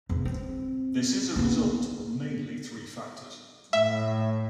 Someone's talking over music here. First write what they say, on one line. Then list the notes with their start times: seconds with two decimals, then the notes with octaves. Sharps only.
This is a result of mainly three factors.
0.09 F1 E2
0.25 C4
1.36 A#3 B3
3.73 A2 E5